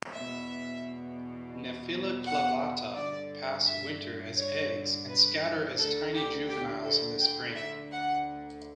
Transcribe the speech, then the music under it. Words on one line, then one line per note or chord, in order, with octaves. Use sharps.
"Nephila clavata" pass winter as eggs and scatter as tiny juveniles in the spring.
E2 B2 E5
F#5
G2 D3 D5
E5
C#5
B4
D2 D3 A4
G4
G4
A4
G5
E5
F#5